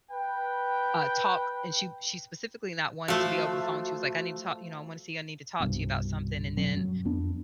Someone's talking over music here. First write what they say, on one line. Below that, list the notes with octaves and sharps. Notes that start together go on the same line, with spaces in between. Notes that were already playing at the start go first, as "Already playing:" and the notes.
uh, talk and she she specifically not want it to be over the phone. She was like, "I need to talk," you know, "I want to see I need to talk to you about something," and then
B4 G5
F3 A3 F#4
C2 G2 B2
F1 B2 F#3 C#4
F#2 F#3
F2 B3 D4